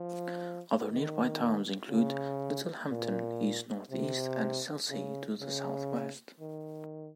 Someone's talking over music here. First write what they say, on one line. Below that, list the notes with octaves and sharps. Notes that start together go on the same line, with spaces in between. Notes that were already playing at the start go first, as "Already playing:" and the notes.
Other nearby towns include Littlehampton east-north-east and Selsey to the south-west.
Already playing: F3
D#3
C#3
A#2
C3
C#3
C#3
D#3